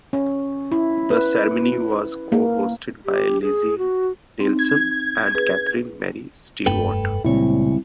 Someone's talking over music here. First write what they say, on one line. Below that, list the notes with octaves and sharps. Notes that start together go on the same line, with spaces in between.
The ceremony was co-hosted by Leslie Nielsen and Catherine Mary Stewart.
C#4
E4
B4
A#3
G4
G#4
F#4
C4 D#4
G#6
G#4 B4
F1 G2 A3 A4 B4 G5
C#2 A#2 G3 C4 E4 C#5